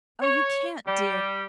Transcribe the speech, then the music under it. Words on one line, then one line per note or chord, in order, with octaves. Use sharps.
'Oh, you can't, dear!
C#5
G3